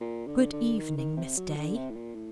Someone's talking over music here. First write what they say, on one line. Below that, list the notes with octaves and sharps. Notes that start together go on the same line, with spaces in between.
"Good-evening, Miss Day."
A#2
D3
D3
D#3
D#3
C3
F#3
D3
C3
A2
A#2
A2